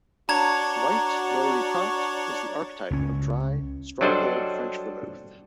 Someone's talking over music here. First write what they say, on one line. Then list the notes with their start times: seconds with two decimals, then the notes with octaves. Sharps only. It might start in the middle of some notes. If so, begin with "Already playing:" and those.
"White" Noilly Prat is the archetype of dry, straw-coloured French vermouth.
0.29 D4 F#4 C#5 A5 A#5 G#6
2.91 C#2 C#4
4.01 F#3 G3 D4 A4 C5 D#5